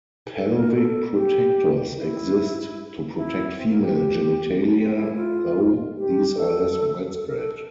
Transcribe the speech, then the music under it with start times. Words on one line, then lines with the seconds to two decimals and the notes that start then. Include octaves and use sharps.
Pelvic protectors exist to protect female genitalia, though these are less widespread.
0.35 A4
0.55 A#4
0.74 A4
1.14 G4
1.96 E4
3.15 E4
3.55 C4
3.69 A#3
3.82 G4
4.76 C4
4.95 E4
5.15 F4
5.96 G4
6.36 A4
7.16 A4
7.27 A#4
7.38 A4